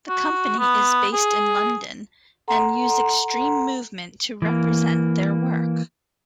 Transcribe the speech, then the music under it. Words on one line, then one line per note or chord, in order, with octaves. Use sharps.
The company is based in London and use extreme movement to represent their work.
F#4
B3
G#4
A4 F#5 A#5 C6
E3 A#3